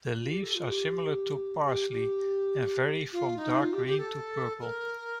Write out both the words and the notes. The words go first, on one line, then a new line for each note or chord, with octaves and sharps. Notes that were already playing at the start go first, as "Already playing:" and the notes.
The leaves are similar to parsley, and vary from dark green to purple.
F4
G4
A4
F4
G4
G4
G4
F4
D#4
F4
G4
G4
A4
A#4